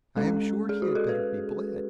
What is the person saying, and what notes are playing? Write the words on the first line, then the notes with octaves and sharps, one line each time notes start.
I am sure he had better be bled.
G#3 C#4 A4
G#4
F#4
A4
B4